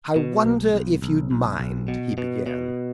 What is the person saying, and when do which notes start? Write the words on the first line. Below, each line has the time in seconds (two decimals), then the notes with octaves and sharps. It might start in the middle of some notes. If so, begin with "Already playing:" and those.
"I wonder if you'd mind," he began.
0.16 B2
0.45 B1
0.74 B1
1.02 B1
1.31 B1
1.60 B1
1.88 B2
2.18 B2
2.46 B2